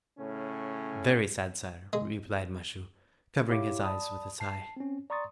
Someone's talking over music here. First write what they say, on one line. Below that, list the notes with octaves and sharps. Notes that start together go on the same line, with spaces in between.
"Very sad, sire," replied Michaud, lowering his eyes with a sigh.
A2 C#3 C#4
G#3
E4 G4 C#5 F5 D6
D5 A5 B5 D#6
A5 C7
C4 C#4
D5 A#5 C6 C#6 D#6 A6